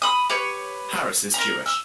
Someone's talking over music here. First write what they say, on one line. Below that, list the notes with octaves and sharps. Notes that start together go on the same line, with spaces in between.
Harris is Jewish.
B5 D#6
G4 B4 C#5
A#4 A#5
E6